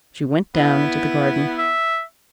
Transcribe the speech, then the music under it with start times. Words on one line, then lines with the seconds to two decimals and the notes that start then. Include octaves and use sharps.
She went down into the garden.
0.55 B3 E4
1.58 E5